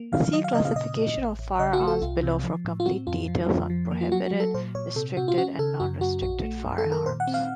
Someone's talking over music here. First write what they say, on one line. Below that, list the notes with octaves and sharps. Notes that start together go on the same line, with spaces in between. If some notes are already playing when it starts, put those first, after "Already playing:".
See Classification of firearms below for complete details on prohibited, restricted and non-restricted firearms.
Already playing: A#3
D#3 F5
F#3 D#5
F5
C#3 D#5
F5
A#2 D#5
A#2
A1
A1
C#3 D#5
F#4
A3
A4
C2 F4
C3
F3
A2
F4
C4 F#4
F2 F4
F3
F2
F3
A#3
F4
F#3 F#4
F#4
F#3
A4
A#2 C5
A#2 C#5
C3 A4
C3 F#4
F4
C#4 F#4
C#3 A4
F#2 F#4
F#2 F#4
A#1 F#4
A3
F#2
A4
D#3
A#4
A#2 C5
F#5
C4
F5